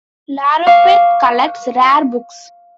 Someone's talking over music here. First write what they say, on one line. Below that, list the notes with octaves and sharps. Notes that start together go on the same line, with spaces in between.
Larroquette collects rare books.
F5 C#6 D6